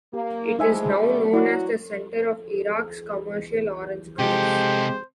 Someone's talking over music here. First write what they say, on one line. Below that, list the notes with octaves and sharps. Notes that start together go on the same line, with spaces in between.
It is now known as the centre of Iraq's commercial orange groves.
A#3 G4
E3 F3 G#3 D#4 E5 G#5
D3 G3 A3
F#3 A3 E4 F#4 D5
C3 G#3 G4 A4 C5